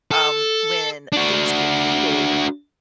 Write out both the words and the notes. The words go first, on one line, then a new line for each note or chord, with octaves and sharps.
Um, when things get heated,
A4
D4 F#4